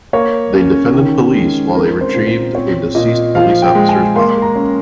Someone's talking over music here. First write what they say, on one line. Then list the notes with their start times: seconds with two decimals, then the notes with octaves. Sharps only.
They defended police while they retrieved a deceased police officer's body.
0.13 A#3 C#5
0.53 C#4
0.94 D#3
1.34 G#3
1.74 C4 A#4
2.01 C5
2.15 A#2
2.28 C5
2.55 C4 C#5
2.95 A#2 D#5
3.35 F3 F5
3.62 G5
3.75 G#3
3.89 G#5
4.16 A#3 C6
4.42 A#5
4.55 C#4